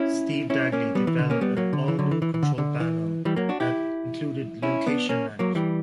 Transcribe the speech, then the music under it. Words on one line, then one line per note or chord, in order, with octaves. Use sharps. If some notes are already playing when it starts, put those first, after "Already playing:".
Steve Dagley developed an all-new control panel that included location management.
Already playing: C#4 E4
C#4 E4
A#3 C#4
G3 B3
E3
D3
A#3 C#4
G3 B3
F#3 A#3
D3
E3
D3 F#3
E3
E3
E3
D3
D3
E3
E3 G3
F#3 A#3
D4 F#4
E4 G4
C#4 E4
B3 D4
A#3 C#4
F#3 A#3
E3 G3